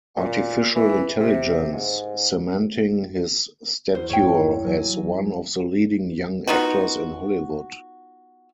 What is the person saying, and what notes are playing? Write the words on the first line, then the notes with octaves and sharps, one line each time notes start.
Artificial Intelligence, cementing his stature as one of the leading young actors in Hollywood.
A#2
E3
C3
G#2
E2 C5
A1 G2 C#5 G5
F#3 G#5
B3 D#4 F4 F#4